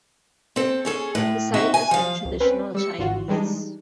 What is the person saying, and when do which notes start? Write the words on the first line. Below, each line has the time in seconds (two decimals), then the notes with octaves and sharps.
The site is in traditional Chinese.
0.56 C4 A4
0.85 C#4 G#4 A4
1.15 A2
1.54 C4 D#4 F#4 E5
1.74 G#5
1.91 F3 F5
2.25 C2
2.40 C4 C#4 B4
2.75 G3 E6 C#7
2.98 G#1 D3 F4 F#4
3.28 E3 G3 G#3 D4 D#4